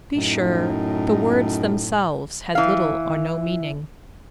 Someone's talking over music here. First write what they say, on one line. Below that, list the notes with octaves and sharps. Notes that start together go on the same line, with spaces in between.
To be sure the words themselves had little or no meaning.
F#2 A2 D#4
E3 F5